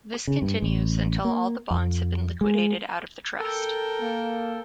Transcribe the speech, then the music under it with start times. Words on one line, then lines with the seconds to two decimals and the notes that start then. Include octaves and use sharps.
This continues until all the bonds have been liquidated out of the trust.
0.27 C#3
0.42 G2
0.62 A1
1.25 A#3
1.71 F2
2.41 G#3
3.39 A4 A#4 G5
4.00 A#3